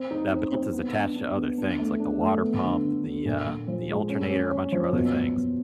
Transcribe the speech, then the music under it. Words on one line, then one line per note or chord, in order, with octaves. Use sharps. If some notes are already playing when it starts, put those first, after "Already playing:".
That belt is attached to other things like the water pump, the, uh the alternator, a bunch of other things,
Already playing: C4
D#4
C4
C4
B3
D4
D4
B3
D4
A3
D4
A3
B3
D3
D3
D3
A#2
A#2
F3
G#3
C#4
C#4
C#4
F3
B2
B2
B2